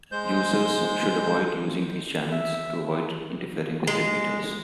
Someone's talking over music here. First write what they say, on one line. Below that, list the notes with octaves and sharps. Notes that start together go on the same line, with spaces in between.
Users should avoid using these channels to avoid interfering with repeaters.
G#3 C5 G6
E5
G#3